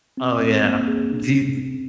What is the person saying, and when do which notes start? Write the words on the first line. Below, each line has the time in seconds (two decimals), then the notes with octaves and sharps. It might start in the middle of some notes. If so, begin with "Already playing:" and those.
Oh, yeah, di
0.17 C4
0.41 C4
0.64 A#3
0.88 G#4
1.11 D4
1.35 C3
1.57 C4